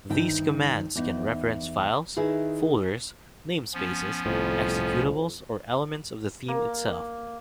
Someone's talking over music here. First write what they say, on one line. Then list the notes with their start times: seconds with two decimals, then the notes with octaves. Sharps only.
These commands can reference files, folders, namespaces, executables, or elements of the theme itself.
0.10 D2 G2 D#3 G5
0.95 E2 D#4
2.17 D#3 E4 G#4 B4
3.74 F3 B3 C#4
4.26 C2 F2 A2
6.48 A#3